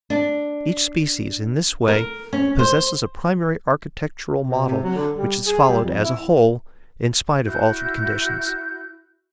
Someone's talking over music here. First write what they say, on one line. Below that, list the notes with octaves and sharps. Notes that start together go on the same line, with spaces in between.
Each species, in this way, possesses a primary architectural model which is followed as a whole, in spite of altered conditions.
D4
A#4
C#4
C5
B2
C3
F#3
D3
G3
G#4
G3
F2
E4
E4 F#4 G6